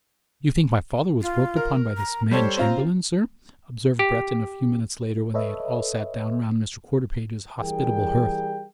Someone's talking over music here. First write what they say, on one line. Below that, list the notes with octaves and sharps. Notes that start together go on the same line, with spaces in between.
"You think my father was worked upon by this man Chamberlayne, sir?" observed Breton a few minutes later when they had all sat down round Mr. Quarterpage's hospitable hearth.
F4
A#4
A#5
G3 A4 C5 C#5
C4 F4 A#5
G4
A4 B4 C#5 D#5 E5
E3 G3 G#4 A#4 G5